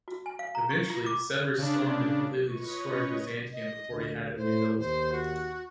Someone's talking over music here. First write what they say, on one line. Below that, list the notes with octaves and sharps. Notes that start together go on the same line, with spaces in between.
Eventually, Severus stormed and completely destroyed Byzantium before he had it rebuilt.
F#4
G#5
F5
A#5
C#6
F4
D6
C#3 D4
F4 B4 C#5 D#5 C#6
C#4
D#5
D2
A2 C5
D#2 C5
F#4